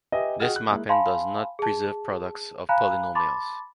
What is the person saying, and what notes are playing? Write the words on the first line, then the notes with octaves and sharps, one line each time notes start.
This mapping does not preserve products of polynomials.
G4 B4 D#5 E5 G#5
F#4 G#4 D#5 F#5 G5 F6
F#6
G#3 A#3 E4
F5 G#5 A5 B5 C6
G#4 A5
F5 G#5 A#5 B5 F#6
A5 B5 C6 D6 A6